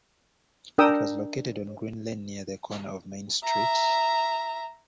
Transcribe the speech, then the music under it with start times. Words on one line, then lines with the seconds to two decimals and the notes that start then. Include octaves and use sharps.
It was located on Green Lane near the corner of Main Street.
0.78 D4 A#4 G5 D#6 E6
3.44 E5 A#5